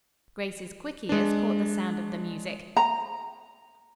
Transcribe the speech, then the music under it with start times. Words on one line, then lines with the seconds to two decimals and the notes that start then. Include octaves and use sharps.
Grace's quick ears caught the sound of the music.
1.09 G#3 D4
2.77 A#5